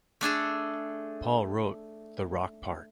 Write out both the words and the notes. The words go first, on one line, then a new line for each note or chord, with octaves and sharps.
Paul wrote the rock part.
A3 D4 G#4 A4